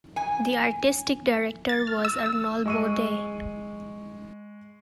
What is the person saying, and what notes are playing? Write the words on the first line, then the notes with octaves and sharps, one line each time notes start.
The artistic director was Arnold Bode.
G#5
A6
F6
E6
E6
G#3 C#6 D#7